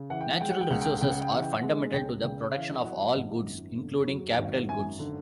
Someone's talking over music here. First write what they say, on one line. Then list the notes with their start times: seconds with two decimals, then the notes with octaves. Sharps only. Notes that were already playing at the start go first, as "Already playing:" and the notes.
Natural resources are fundamental to the production of all goods, including capital goods.
Already playing: C#3
0.10 E3 F#5
0.21 G5
0.30 F#5
0.41 G#3 G5
0.51 F#5
0.61 G5
0.71 C#2 F#5
0.82 G5
0.91 F#5
1.01 C#3 G5
1.11 F#5
1.22 G5
1.32 E3 F#5
1.42 G5
1.52 F#5
1.63 G#3
1.93 C#2 G5
2.24 C#3 G5
2.54 E3 F5
2.85 F#3 F#5
3.16 G#1
3.46 F#2
3.77 D3
4.08 F#3
4.38 G#1
4.69 F#2 G#5
4.99 D3